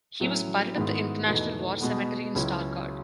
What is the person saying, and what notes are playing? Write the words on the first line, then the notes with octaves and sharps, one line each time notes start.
He was buried at the International War Cemetery in Stargard.
A2 F#3 C#4
G#2 D#3 G#3 B3 E4
E2 B2 A3 D#4
B2 G#3 B3
C#2 C#3 F#3 C#4 E4